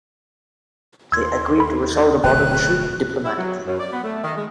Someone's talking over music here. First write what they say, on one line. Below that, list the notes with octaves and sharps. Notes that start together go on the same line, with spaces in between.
They agreed to resolve the border issue diplomatically.
D#2 C6 E6 G#6
A4 B5
D1 B2 G5 F#6
E4
F#3
F#2
D5
B3
A3
D#3
G#3